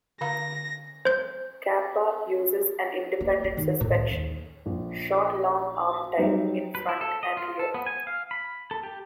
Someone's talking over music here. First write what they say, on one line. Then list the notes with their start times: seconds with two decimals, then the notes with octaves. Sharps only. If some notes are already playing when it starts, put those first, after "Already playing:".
Kappa uses an independent suspension, short-long arm type, in front and rear.
0.21 D3 F5 A#5 A#6
1.05 C5 G6
3.21 A#3
3.44 A#3
3.57 D#3
3.81 A2
3.94 C#2
4.11 D#2
4.66 A#1
6.17 F#3 G3 D#4
6.75 B4
6.89 E4
7.01 A4
7.23 D#5
7.37 F4
7.59 A4
7.74 B3
7.86 G#5
8.07 F5
8.31 B5
8.71 A4
8.83 G4